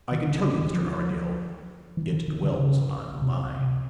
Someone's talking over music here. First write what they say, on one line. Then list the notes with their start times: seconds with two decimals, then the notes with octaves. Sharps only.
I can tell you, Mr. Armadale, it dwells on mine!
0.12 D#3
0.27 D3
0.43 D3
0.58 D#3
0.73 F3
1.97 E3
2.12 D#3
2.28 D#3
2.44 D3
2.59 C#3
3.22 C3